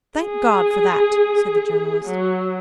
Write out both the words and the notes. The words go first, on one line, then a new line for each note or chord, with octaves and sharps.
"Thank God for that," said the Journalist.
G#4
F#3